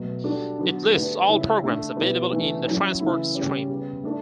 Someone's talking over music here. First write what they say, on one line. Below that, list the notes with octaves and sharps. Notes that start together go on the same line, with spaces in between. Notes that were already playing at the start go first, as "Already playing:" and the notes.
It lists all programs available in the transport stream.
Already playing: B2 F#3 A3
G3 D4 F#4 A4
D3 F#3 B3 F#4 B4
D3 A3 D4 G4 B4
C#3 G3 C#4 E4
D3 A3 D4
B2 G3 B3 E4 B4
E3 A3 D4
F#3 C#4 E4
C#3 E3 A3 E4
C#3 G3 C#4
C#3 G3 B3
A3 D4 A4